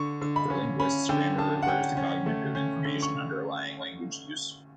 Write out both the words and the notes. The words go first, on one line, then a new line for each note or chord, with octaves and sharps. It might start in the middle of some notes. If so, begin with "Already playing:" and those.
For linguists, grammar refers to cognitive information underlying language use.
Already playing: D3 C#6
D3
B5
C#4
C#4 B5
D3 G5
D3 A5
F#5
C#4 G5
C#4
A3
C#4
D3
C#6